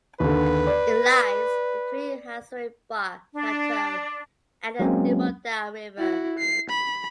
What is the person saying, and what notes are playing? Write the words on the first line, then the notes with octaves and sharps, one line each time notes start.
It lies between Hazaribagh Plateau and the Damodar River.
D#2 D3 B4
D5
D4
F#3 G#3 A#3 C4 C#4
E4 F#4
C7
B5